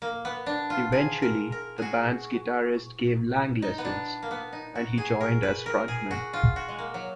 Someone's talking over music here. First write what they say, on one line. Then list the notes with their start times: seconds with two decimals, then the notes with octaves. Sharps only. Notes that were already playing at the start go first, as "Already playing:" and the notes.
Eventually, the band's guitarist gave Lang lessons, and he joined as frontman.
0.02 A#3
0.25 B3
0.46 D4
0.70 F4
0.92 G#4
1.22 A#4
1.52 A#4
1.78 F#4 G#4
3.62 D#4
3.78 B3
3.85 D4
4.23 A#3
4.31 B3
4.53 D#4
4.75 F#4
4.98 G#4
5.21 A#4
5.43 B4
5.66 A#4
5.88 G#4
6.11 F#4
6.33 F4
6.56 F#4
6.69 G#3
6.79 A#3
6.94 F#3